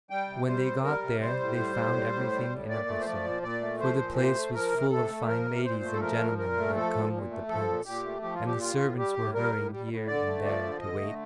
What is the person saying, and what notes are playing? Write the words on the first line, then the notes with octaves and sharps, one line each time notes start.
When they got there they found everything in a bustle, for the place was full of fine ladies and gentlemen who had come with the Prince, and the servants were hurrying here and there to wait on them.
G3 G5
C3
G3 C5
C3
G3 A#4
C3
G3 C5
A2
G3
A2
G3
A2
G3
A2
A#2 D5
A3
C5
F3 D5
A#2
A#2 D5
A3
F3 C5
A#2
C3 C5
A3
F3 A#4
C3
C3 A4
A3
F3 A#4
C3
A#2 C5
A3
A4
F3 A#4
A#2
A#2 A#4
A3
F3 A4
A#2
A#2
A3
F3 A4
A#2
A#2 G4
A3
F3 G4
F4
A#2
G4
G3 F4
A2
G3 G4
A2
G3 A#4
A2
G3
A2
D3 D5
A3
F3 D5
D3
D3 D#5
A3